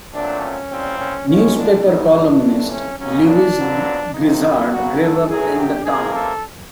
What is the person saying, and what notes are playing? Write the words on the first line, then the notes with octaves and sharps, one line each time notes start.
Newspaper columnist Lewis Grizzard grew up in the town.
A#2 F#3 A3 C4 D4
C#4
C2 A#2 G3 C4
C#4
F#2 C#3 F3 G#3 C#4
D4
E2 C3 E3 D#4
D4
C#2 C3 E3 A3
C#4
D#2 C#3 F#3 C#4
D4
F2 D3 F#3 B3
F2 C3 D#3 D#4
E4
D2 C#3 F#3 A#3 F#4
A4
F#2 D#3 F#3 A3 G#4
G4
C#2 C3 F3 A#3 G#4
A4